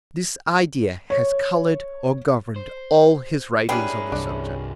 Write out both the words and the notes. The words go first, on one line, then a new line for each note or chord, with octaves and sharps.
This idea has coloured or governed all his writings on the subject.
C#5
C5
G3 C#4 D4 E4 G#4 A#4 B4 G5
C2 G2 D4